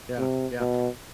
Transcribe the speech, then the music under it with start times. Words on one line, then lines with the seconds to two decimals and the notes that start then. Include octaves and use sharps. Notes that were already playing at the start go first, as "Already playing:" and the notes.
Yeah, yeah.
0.18 C3
0.59 B2